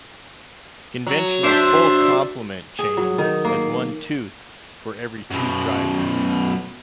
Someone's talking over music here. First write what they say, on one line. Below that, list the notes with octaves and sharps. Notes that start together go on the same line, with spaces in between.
Conventional "full complement" chain has one tooth for every two drive links.
F#3
D4 C5 E5
G#4
F#3
D#3
A#3
F#2 B2